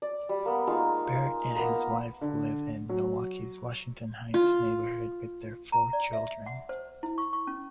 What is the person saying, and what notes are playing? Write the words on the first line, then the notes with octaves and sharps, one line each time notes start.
Barrett and his wife live in Milwaukee's Washington Heights neighborhood with their four children.
D5
G3
A#3 B3
G#3 A#3 D#4 F4
A#3 B3 B4 A#5
D3
F#3
F4
A#5
D5
E5
F#5
C5
E4
C#6
C#6
C#4